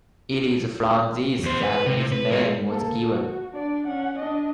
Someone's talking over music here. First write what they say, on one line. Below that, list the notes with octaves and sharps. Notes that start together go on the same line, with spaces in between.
It is from this that its name was given.
E2 C5
B4
C3
B4
G#3 A#4
A#3 A4
F#4
D4 D5
C#4 F#5
D4 D#5